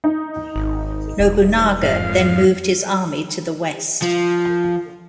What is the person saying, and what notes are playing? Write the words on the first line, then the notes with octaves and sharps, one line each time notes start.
Nobunaga then moved his army to the west.
D#4
G#1
E1
F2 G#2 F5
F3